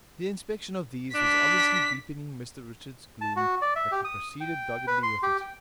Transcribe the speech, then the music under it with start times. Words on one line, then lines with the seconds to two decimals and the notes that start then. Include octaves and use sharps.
The inspection of these was obviously deepening Mr Richards' gloom, but he proceeded doggedly with it.
1.15 D4 B6
3.21 A5
3.36 F#4
3.62 D5
3.76 E5
3.92 G4
4.04 D#6
4.41 G5
4.87 B4
5.03 C6
5.23 G4
5.41 G5